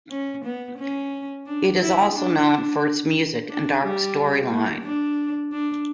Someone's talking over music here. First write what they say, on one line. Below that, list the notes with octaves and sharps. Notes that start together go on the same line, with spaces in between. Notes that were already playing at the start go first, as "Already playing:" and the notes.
It is also known for its music and dark storyline.
C#4
B3
C#4
D4
E4
D4
D4
G3
A#3
D4
D4